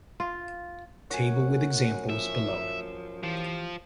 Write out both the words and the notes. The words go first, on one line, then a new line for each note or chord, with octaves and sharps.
Table with examples below.
F4
F#2 F#5 G#5 C#6
F3 E5
E3 F3 G4